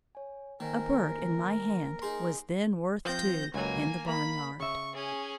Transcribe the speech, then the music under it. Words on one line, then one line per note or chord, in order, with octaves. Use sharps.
A bird in my hand was then worth two in the--barnyard.
C#5 G#5
D#3 A#3 A#4 C5 G#5
D#4 G#4 C6
F3 C4 G6 A#6
C#2 F#3 A#3 G#5
A#3 A#5 B5
C#3 E5 C#6
C#4 G#4